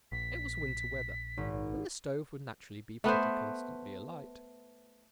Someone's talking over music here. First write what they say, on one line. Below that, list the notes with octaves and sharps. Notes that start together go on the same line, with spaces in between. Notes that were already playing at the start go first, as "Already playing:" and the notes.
It was winter weather, when the stove would naturally be pretty constantly alight.
A#1 B6
G#1
A3 B3 B4 C5